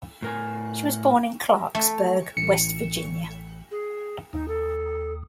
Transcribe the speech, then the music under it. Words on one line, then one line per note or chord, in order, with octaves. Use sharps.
She was born in Clarksburg, West Virginia.
A2 A#4 G#5
A3
A1 C#7
G#4
D#2 D#4
A4